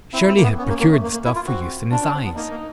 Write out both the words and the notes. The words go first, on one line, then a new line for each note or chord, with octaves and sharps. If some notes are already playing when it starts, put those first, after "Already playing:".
Shirley had procured the stuff for use in his eyes.
C4 E4
C4
A#3
B3
B3 C#4
A#3
A#3
A3
A#3
A#3
E4
F4
C4 F#4
D4 F4
C#4
C4
B3
A#3 D#4
A#3